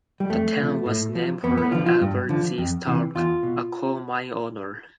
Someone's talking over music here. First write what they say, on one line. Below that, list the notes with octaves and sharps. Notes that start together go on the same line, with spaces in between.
The town was named for Albert G. Stark, a coal mine owner.
G3
F2 A3
C3 F3
A2
F3
F2 B3
B3
D3 F3 F4
F4
G2
D3 F3
F2
C3 E3
E2 F4
B2